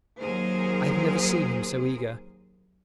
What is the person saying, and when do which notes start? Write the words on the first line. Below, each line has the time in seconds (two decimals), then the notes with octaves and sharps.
I have never seen him so eager.
0.20 D#2 F#3 G#4 A#4 C5